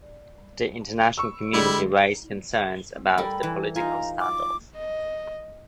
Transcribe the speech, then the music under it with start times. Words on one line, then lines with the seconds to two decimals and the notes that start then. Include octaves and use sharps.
The international community raised concerns about the political standoff.
1.18 C#6 E6
1.53 D3 G3 G#3 E4
3.18 G3 A4 A#4 B5
3.43 E3
3.76 D#4 F4 G#5 A#5
4.20 D6
4.75 D#5